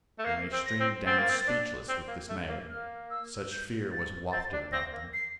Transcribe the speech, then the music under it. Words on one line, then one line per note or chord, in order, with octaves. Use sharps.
And they streamed down speechless with dismay; such fear was wafted about them.
A3
A#3 C7
C4
A#6
C4
C4 A6
A#3
C4
D4
C4
A#3
A3
A#3
A#3 F6
E6
G6
A6
C4 A6
D4
C4 A#6
A#3
C7